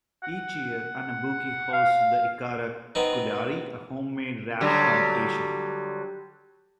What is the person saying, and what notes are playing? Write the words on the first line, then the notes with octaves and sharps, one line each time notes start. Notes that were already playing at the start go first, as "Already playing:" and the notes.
Each year, Anabuki hosts the Ikada Kudari, a homemade raft competition.
F#5
F5
B3 C4 D#4
D3 F#3 G3